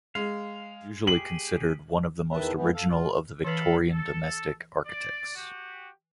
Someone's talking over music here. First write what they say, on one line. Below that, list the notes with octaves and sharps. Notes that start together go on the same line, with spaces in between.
He is usually considered one of the most original of the Victorian domestic architects.
G#3 F5
G4 G#4 F#7
E2 D#3 B4 E5 A5
E2 G#2 E3 F3 B3
A4 F5
F4
E3 A4 B4 F5 B5
A4
D5
F#4 G4